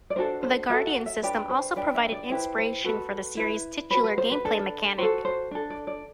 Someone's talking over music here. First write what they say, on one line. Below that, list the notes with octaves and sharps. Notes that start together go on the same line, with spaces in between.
The Guardian system also provided inspiration for the series' titular gameplay mechanic.
D5
D4 F#4 A4 C5
C5
F#4 A4 E5
F#5
E5
D4 G4 B4 D5
C5
D4 G4 B4 D5
E5
D5
E4 G4 B4 C5
C5
F#4 A4 B4
E4 B4
F#4 B4 C5
B4
C5
B4
D4 A4
F#4 A4 C5
C5
D4 A4
D5
D5